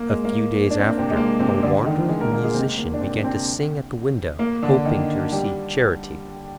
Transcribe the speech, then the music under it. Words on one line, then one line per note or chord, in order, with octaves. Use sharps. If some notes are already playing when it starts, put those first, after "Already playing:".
A few days after, a wandering Musician began to sing at the window, hoping to receive charity.
Already playing: A#3
G#3
A#3
D4
C4
A#3
C3 C4
G#3
A#3
C3 C4
D3 D4
D#3 D#4
G#3 G#4
A#3 A#4
A#3 A#4
G#3 G#4
C3 C4
A#3
D4
C3 C4
C3 C4
A#3
D3 D4
D#3 D#4
G3 G4